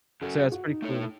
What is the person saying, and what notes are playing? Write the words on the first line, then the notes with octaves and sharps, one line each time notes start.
So that's pretty cool.
C#3 F#3 C#4 F#4 A4
G#4
F#4
D#4
A3 E4 A4 C#5